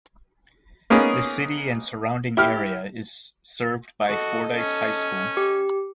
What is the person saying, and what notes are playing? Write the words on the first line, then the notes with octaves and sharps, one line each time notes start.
The city and surrounding area is served by Fordyce High School.
A#3 B3 C#4 D#4 G#4
E4 G4 F6
F#4 A4 D#5
C#4
G4